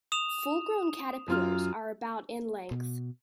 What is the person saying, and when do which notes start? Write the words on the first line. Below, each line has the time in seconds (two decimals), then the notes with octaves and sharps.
Full grown caterpillars are about in length.
0.12 D#6 E7 F7
1.28 F#2 F4 F6
2.71 B2